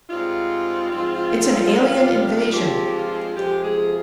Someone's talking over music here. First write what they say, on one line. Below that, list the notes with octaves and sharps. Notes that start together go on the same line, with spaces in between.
It's an Alien Invasion.
G#2 G3 C4 D#4 F4
G#2 F3 C4 D#4
C3 D#3 G3 D4
G2 F3 G#3 C4 G4
F4
F2 C3 F3 G#3 G4
G#3 G#4